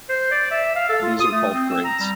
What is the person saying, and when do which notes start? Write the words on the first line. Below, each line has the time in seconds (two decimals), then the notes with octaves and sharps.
These are called grades.
0.09 C5
0.31 D5
0.51 E5
0.75 F5
0.89 A4
1.02 F4
1.20 D#6
1.32 A3
1.53 C4
1.70 E6
1.84 A#5
1.99 G3